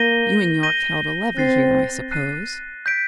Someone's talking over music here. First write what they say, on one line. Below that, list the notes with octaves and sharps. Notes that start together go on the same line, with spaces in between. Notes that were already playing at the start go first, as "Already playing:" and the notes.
You and Yorke held a levee here, I suppose?
Already playing: A#3 G6 A#6 D#7 G7
G6 A#6 D#7 G7
C4 F#6 A6 C7 D#7
F#6 A6 C7 D#7
G6 B6 D7